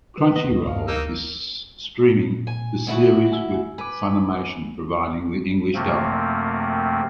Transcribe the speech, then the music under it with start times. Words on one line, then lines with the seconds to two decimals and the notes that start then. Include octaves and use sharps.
Crunchyroll is streaming the series with Funimation providing the English dub.
0.18 C#3 B4
0.36 D#2 B3 D#5
0.51 C2
0.66 G2 F5
0.88 D2 A#3 D#4 A#4 E6
2.12 A#2
2.47 G#5
2.87 D2 E4 F#4
3.32 G#5 E6
3.78 B4 G#5 D6
5.74 F#2 C3 F3 A3 A#3 C4